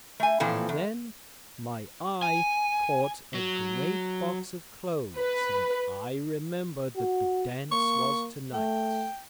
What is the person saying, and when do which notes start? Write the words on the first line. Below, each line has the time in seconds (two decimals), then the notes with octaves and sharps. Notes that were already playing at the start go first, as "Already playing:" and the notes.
And then my eye caught a great box of clothes, and I remembered that the dance was to-night.
0.20 A3 G#5
0.40 A#2 E3 F3 C4 A4
0.69 E2
2.22 G#5
3.34 F#3
5.17 B4
6.96 F#4
7.72 A#3 C#6
8.54 A3 G5